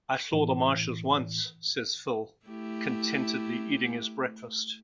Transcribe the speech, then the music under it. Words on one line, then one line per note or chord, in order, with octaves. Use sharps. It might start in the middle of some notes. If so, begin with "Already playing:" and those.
"I saw the marshes once," says Phil, contentedly eating his breakfast.
A2 E3
A3 E4 G4